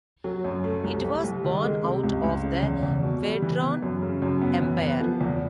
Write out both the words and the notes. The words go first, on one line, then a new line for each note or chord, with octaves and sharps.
It was born out of the Vedran Empire.
F#3
F#2
A3
C2
C2
C2
D#3
G#3
C3
C#2
C#2
C#3
E2
E2
B2
G3
E3
B3
F#2
C#3
F#2
B3
E3
B3
F3
E2